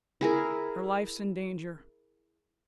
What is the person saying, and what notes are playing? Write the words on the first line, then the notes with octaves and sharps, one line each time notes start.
Her life's in danger.'
E4 G#4 A#4